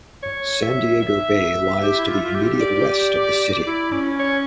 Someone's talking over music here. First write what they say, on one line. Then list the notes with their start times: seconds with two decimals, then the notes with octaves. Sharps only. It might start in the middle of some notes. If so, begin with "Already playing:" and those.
San Diego Bay lies to the immediate west of the city.
0.23 C#5
0.62 E5
1.02 E5
1.81 G4
1.97 E4
2.07 F4
2.23 F4
2.35 G4
2.60 D5
3.66 E4
3.92 C#4
4.19 C#5